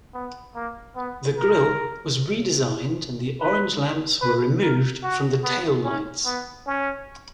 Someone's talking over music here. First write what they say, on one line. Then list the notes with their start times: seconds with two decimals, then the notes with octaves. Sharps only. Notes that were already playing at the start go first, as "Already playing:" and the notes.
The grill was redesigned, and the orange lamps were removed from the taillights.
0.14 B3
0.55 A#3
0.96 B3
1.36 A#4
3.40 B4
4.22 B4
4.62 A#4
5.03 F#4
5.44 B3
5.84 C#4
6.25 B3
6.66 C#4